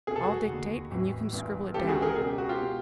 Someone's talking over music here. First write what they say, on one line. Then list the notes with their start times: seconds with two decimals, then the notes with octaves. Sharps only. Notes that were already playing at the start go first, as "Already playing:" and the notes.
I’ll dictate, and you can scribble it down.
0.07 F1 E2 B2 G#4
0.16 A4
0.23 F#4 G#4
0.49 D#2 D3
0.91 A1 A2 E3
1.33 G1 G2 E3
1.74 C#2 C#3 E3 G4 A4
1.88 F#4 G#4
2.02 G#4 A#4
2.16 E1 E2 C#3 G#4
2.27 G4
2.38 F#4
2.49 F4 G4
2.61 B2